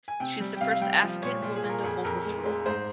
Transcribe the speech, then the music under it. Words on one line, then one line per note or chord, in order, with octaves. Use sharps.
She is the first African woman to hold this role.
G#5
C3 G5
G3
G5
C3 F5
F5
G3 G5
G5
F3
A#2 C#5
A#2
G#4
A#2
A#4
F2 G#4
F2 A#4
G#3
G#3
G#2 C5